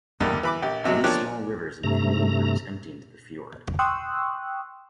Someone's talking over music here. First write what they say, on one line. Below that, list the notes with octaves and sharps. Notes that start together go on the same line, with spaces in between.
Many small rivers and canoeing routes empty into the fjord.
E2 D3 D#3 G3 A#3
E3 B5 D6
A#1 G4
D#2 C3 F#3 G#3
F3 A#3 D4 C#5 G5 F#6
G2 C3 A3 A#5
G5 C6 C#6 D#6 E6 F#6